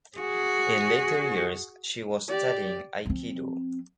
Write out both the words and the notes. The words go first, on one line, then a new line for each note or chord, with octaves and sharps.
In later years she was studying Aikido.
F#4 G#4
G4 D5
F3 C4